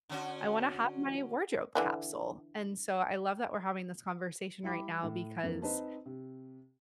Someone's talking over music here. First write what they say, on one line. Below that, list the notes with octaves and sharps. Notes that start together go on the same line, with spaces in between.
I wanna have my wardrobe capsule," and so I love that we're having this conversation right now, because
D3 C#4 F#4
D3 E3 D4
G3 E4 G5 B5 D6
A2
F2 F3 A#3
C4 D#4 B4 C5 D#5 A5
C3